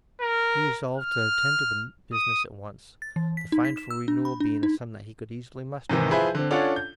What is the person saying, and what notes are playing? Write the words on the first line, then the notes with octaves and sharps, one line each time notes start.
He resolved to attend to the business at once, the fine for renewal being a sum that he could easily muster.
A#4
F6
D#6
A6
E3
B6
D#4
B6
E7
E6
D4
B5
D4
D#4
G#2 C3 D#3 E3
F3 E4 G#4 B4 C5 E5
D3 C4
C#4 D4 F4 A4 C#5 F#5
G6